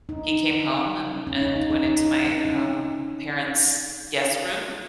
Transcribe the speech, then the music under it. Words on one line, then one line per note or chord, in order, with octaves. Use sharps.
he came home and and went into my, um, parents' guest room,
D#4
C#4
D#4
D#4
D#4
D#4
E4
D#4
C#4